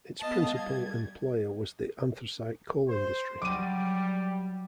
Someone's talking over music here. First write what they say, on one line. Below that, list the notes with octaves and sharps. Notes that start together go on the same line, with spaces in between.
Its principal employer was the anthracite coal industry.
B3 D#5 F5 A5
G3 G#6
C5
F#3 G3 D6 D#7